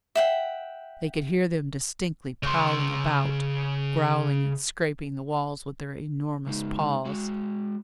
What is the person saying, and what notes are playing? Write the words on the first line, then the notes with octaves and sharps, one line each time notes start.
They could hear them distinctly prowling about, growling and scraping the walls with their enormous paws.
E5 F#5 G5
C#3 C6
C#3 G#3 D#4
G#3 F#4